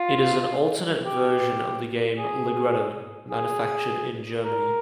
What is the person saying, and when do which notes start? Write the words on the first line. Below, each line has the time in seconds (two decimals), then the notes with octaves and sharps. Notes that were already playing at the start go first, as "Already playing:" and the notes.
It is an alternate version of the game Ligretto, manufactured in Germany.
Already playing: F4
1.06 G4
2.18 G#4
3.30 G#4
4.42 A#4